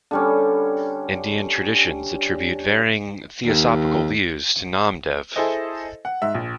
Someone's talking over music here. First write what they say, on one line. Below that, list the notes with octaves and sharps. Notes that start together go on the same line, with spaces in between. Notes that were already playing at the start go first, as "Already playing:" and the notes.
Indian traditions attribute varying theosophical views to Namdev.
D3 G3 C#4
D#2
E4 G#4 A4 C5 D#5
F#5
G#2 E5
A#1